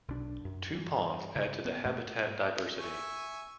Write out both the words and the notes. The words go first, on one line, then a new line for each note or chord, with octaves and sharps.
Two ponds add to the habitat diversity.
B1 D4
F#2
G2 E3
C#3
B3
G#2 A3 A#3
E5 G#5 C#6